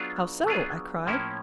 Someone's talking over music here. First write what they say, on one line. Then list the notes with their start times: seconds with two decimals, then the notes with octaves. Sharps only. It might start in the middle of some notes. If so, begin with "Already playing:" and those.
"How so?" I cried.
Already playing: F#3 B3 D4 F4 G#4
0.46 F#3 B3 D4 F4 G#4
1.07 A2 F3 A#3 C#4 E4